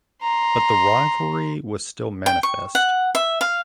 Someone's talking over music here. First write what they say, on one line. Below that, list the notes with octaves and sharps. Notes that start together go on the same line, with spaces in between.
But the rivalry was still manifest.
A#5 C6
G5
C#6
F#5
E5
F5